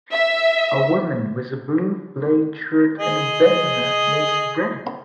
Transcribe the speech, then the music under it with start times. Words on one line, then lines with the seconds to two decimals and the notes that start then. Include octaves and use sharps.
A woman with a blue plaid shirt and a bandanna makes bread.
0.13 E5
2.99 G#4 D#5